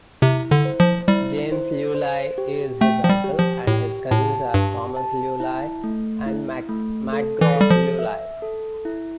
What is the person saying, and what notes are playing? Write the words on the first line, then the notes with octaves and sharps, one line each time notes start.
James Leuluai is his uncle and his cousins are Thomas Leuluai and Macgraff Leuluai.
C3 E4
D3
C5
F3
G3 E4
C5
C5
G4
A3 G5
F3
G3
G4
F3
A2 G4
A2 A5
G2 G4
A5
E4
A3
E4
A3
A4
E3
A4
G3
F3
E5
A4
E4